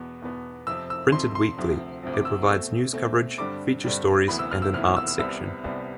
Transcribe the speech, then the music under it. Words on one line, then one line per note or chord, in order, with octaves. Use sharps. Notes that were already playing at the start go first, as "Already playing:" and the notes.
Printed weekly, it provides news coverage, feature stories, and an art section.
Already playing: E2 B2 B3
E2 B2 B3
F2 C3 F3 C4 E6
E6
F2 C3 F3 C4 C6
C6
D2 C3 F3 C4
D2 C3 F3 C4
D6
E6
D6
B2 A3 C4 E6
B2 A3 C4
G2 D3 G3 C4 D6
G2 D3 G3 C4
D2 C3 E3 B3 B5
E6
F6
E6
D2 C3 E3 B3 F6
F6
E6
E6
C2 C3 G3 B3 E6
C2 C3 G3 B3